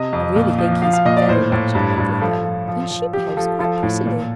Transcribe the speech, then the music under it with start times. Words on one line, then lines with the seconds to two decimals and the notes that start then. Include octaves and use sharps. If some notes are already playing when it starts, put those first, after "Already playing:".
I really think he is very much in love with her, and she behaves quite prettily.
Already playing: C3 D#5
0.13 F2
0.36 A#2
0.58 F3
0.82 F3 F5
0.93 F5
1.05 A#2 D#5
1.17 D5
1.29 A2 C5
1.52 A2
1.75 G2
1.98 G2
2.21 F3 A4
2.45 F3
2.68 F3
2.91 F3
3.13 F3 G4
3.37 F3 A4
3.60 F3 A4
3.83 A2
4.06 A#2